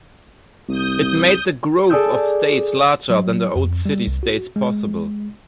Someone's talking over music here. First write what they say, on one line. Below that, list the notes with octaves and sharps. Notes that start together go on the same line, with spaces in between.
It made the growth of states larger than the old city states possible.
C2 D#6 G6
G#4 A4 D5 D#6 E6 G6
F#3
F2
G3
C2
F#4
G#3